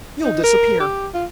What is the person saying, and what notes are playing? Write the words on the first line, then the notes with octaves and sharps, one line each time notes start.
You'll disappear.
D#4
A#4
G4
F4